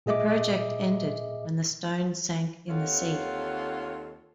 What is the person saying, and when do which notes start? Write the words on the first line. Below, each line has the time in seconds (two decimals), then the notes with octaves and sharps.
The project ended when the stone sank in the sea.
0.06 A#2 G#4 D#5 E5 D6
2.69 D#2 C4 F4 A4 C#5 F#5